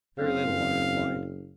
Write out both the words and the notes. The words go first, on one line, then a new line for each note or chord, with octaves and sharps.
"Very little," I replied.
F#1 C4 F5